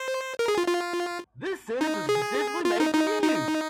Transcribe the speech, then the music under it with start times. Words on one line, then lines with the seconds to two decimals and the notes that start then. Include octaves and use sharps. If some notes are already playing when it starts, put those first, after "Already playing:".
This sentence was specifically made for you.
Already playing: C5
0.39 A#4
0.48 G#4
0.58 F4
0.68 F4
1.81 D#4
2.09 G#4
2.65 F4
2.80 D#4
2.94 D#4
3.22 D#4